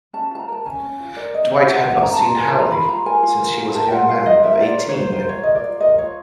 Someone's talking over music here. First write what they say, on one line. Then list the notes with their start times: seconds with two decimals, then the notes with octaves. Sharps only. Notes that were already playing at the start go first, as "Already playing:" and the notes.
Dwight had not seen Hawley since he was a young man of eighteen.
0.13 C#4 A5
0.31 F4 A5
0.39 A#5
0.48 A#4 A5
0.65 C#4 G#5
0.83 C#4
1.00 F4
1.16 A#4 D5
1.34 C#4 D#5
1.51 C#4 E5
1.68 F4 F#5
1.85 A#4 F#5
2.03 C#4 A#5
2.14 A5
2.20 F4 A#5
2.36 A#4 G#5
2.47 A5
2.54 F4
2.59 A#5
2.71 A#4 B5
2.88 F4 A#5
3.06 A#4 G#5
3.23 F4
3.40 A#4
3.57 F4
3.75 A#4 A5
3.88 G5
3.92 F4 F#5
4.09 A#4 F5
4.26 F4 D#5
4.43 A#4 E5
4.60 F4 D5
4.78 A#4 C#5
4.89 C#5
4.95 F4 C5
5.12 A#4 C5
5.29 F4 C#5
5.43 A#4 D#5
5.55 D5
5.64 F4
5.80 A#4 D#5
5.98 F4 C#5